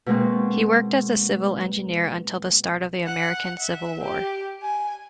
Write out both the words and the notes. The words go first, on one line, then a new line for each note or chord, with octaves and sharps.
He worked as a civil engineer until the start of the American Civil War.
B2 G#3 A#3 C4
F#5
E5
G4
G#5